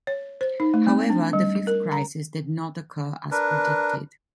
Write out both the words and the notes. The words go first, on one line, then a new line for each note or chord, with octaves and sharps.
However, the Fifth Crisis did not occur as predicted.
C#5
C5
D#4
A3
C4
D4
G3
A#4
A#5
D4 A#4 B4